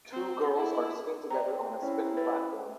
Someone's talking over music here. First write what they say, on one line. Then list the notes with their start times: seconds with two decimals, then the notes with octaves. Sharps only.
Two girls are sitting together on a spinning platform.
0.11 C4
0.57 E4
1.30 C4 D5 A#5
1.82 C#4 E4
2.17 B4